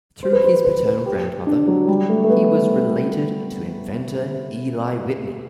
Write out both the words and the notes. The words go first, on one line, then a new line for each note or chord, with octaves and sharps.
Through his paternal grandmother, he was related to inventor Eli Whitney.
C5
B4
C5
C5
B4
B4
G4
D4
F#3
G3
A3
A3
B3